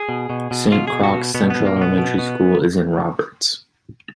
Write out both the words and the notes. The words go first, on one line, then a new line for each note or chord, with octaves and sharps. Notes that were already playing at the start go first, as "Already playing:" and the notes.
Saint Croix Central Elementary School is in Roberts.
Already playing: G#4
B2
B2
B2
B2 F4
G#4
B2
F#4
B2
B2 B3
B2 B3
A#3
B2
B3
B2
B2